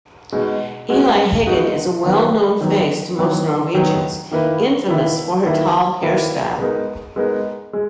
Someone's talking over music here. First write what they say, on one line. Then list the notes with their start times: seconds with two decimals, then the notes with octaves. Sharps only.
Eli Hagen is a well-known face to most Norwegians, infamous for her tall hairstyle.
0.32 B2 G#3 D#4 F#4
0.89 B2 G#3 D#4 F#4
1.46 B2 G#3 D#4 F#4
2.03 D#3 F#3 B3
2.61 D#3 F#3 B3
3.17 D#3 F#3 B3
3.75 D#3 F#3 B3
4.31 D#3 A#3 E4 B4
4.88 D#3 A#3 E4 B4
5.45 D#3 A#3 E4 B4
6.02 D#3 A#3 E4 B4
6.59 G#3 B3 D#4 A#4
7.16 G#3 B3 D#4 A#4
7.73 G#3